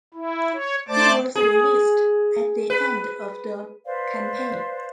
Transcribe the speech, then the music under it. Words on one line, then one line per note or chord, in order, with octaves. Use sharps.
He was released at the end of the campaign.
E4
C#5
A3 C5 D5 A5 D6
G#4
B4
B4 C5 D5 F5